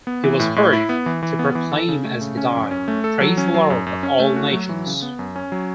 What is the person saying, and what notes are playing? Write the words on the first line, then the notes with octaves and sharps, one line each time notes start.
He was heard to proclaim as he died, Praise the Lord of all nations!
B3
E3
A2
A2
E4
B3
E3
E3
B3
E3
A4
C#3
A3
C#3
C#4
F#2
C#4
A3
A4
F#3
C#4
F#3
F#2
F#2
C#4
A3
F#4
F#3
E3
C#3
B3
F#2
C#4
F#3